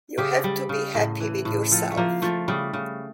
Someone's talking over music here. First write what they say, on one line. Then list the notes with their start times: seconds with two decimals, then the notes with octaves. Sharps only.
You have to be happy with yourself.
0.18 C#3 G4
0.44 G3
0.69 C#3
0.95 A2
1.20 E3
1.45 A2
1.71 F3 A4
1.91 A3
1.97 F3 A#3
2.22 F3 A3
2.48 C#3 G3
2.74 C#3